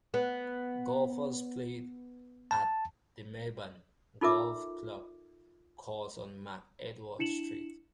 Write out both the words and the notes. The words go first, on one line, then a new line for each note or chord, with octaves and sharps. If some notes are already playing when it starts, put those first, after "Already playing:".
Golfers play at the Merbein Golf Club course on McEdward Street.
B3
A5
D#4 F4 A4 A#4 E5 D6
D4 E4 C#7 E7 F#7